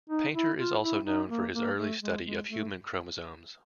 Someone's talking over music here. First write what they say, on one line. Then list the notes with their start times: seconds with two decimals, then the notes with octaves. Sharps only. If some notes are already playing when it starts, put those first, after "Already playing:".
Painter is also known for his early study of human chromosomes.
0.09 D#4
0.34 E4
0.58 F4
0.82 E4
1.05 D#4
1.29 A#3
1.53 A#3
1.77 A3
2.01 G#3
2.25 G#3
2.49 A3